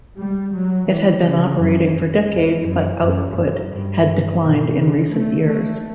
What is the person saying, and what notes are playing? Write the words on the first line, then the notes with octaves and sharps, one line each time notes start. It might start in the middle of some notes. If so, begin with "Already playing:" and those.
It had been operating for decades but output had declined in recent years.
G3
F#3
E3
C#3
F#2
E2
F#2
F#2
F#2
G2
B2
C#3
A3
A3